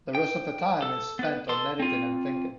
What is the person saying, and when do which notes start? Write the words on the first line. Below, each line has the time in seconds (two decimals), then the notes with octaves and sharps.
The rest of the time is spent on editing and thinking.
0.15 G5
0.82 A4
1.19 B3 B4
1.49 A4 C6
1.80 C4 F4